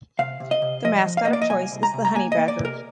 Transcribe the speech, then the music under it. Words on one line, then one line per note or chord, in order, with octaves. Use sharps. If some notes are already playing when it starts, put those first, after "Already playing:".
The mascot of choice is the Honey Badger.
C3 F5
C3
D#5
C3
F3 D#5
F3
F5
D#5
A#3
D5
D#5
C2 G#5
C2
A#5
C3
A#5
A#3 G#5
D#5
A#3
D5
C3
A#4